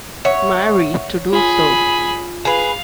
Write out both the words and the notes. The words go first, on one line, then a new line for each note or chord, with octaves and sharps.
Marie to do so.
C#5 E5 F#5 C#6
F4 G#4 B5
G#4 B4 F5